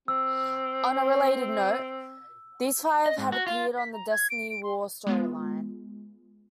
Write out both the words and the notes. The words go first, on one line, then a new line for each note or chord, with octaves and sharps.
On a related note, these five had appeared in the "Destiny War" storyline.
C4 E6
D#5
G#2
F#4
F4
B6
A#5
G#6
D7
D7
C6
G#3 B3 F4